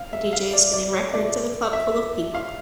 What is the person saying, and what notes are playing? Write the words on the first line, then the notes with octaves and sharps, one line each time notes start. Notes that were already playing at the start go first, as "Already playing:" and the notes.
A DJ is spinning records at a club full of people.
Already playing: F5
E5
F5
D5
D5
C#5
A#2 A3 D5
E5
F5